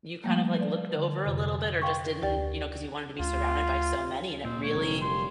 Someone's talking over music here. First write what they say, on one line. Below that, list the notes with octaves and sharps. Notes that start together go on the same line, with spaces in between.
you kind of, like, looked over a little bit or just didn't you know, 'cause you wanted to be surrounded by so many, and it really
F3 G3 A3 A#3
B4 D5
D3
F2 C3
F5 G5 C6 C#6
D2 G4 D5 G5 A6
D2 F4
A#2 A#3 C4 D#5
D3 F#3 G#3 C#5
F1 C4 A#4
G3 F4 C6